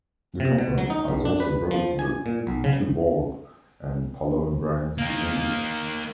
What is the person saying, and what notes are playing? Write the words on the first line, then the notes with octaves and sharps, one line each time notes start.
The company has also brought the Tuborg and Palone brands to India.
C3
B2
F#3
D#4
B1
D4
B4
F3
G#5
A#2
B1
C#3
A#3 D#4